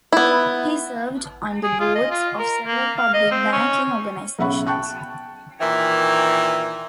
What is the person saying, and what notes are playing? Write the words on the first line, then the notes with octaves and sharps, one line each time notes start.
He served on the boards of several public banking organizations.
B3 E4
G#4
F4
D#5
F4
A#4
A#3
F5
D#5
C4
C#4
B1 C#3 E5 F#5 B5 C#6
G5 A5 C#6 F#6
A#2 D#3 E3